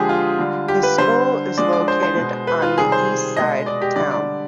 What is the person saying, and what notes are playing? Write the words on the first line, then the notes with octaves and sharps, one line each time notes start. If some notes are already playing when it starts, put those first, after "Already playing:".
The school is located on the east side of town.
Already playing: D3 F3 G#3 G4 G#4
F4
D3 G3
G4
B4
D3 G3 C5
D3 F3 G#3 D5
D5
C5
C5
B2 G#3
B4
F4
C3 D#3 G3 G#4
C5
B2 G#3 D#5
D5
G4
D3 G3 D5
D5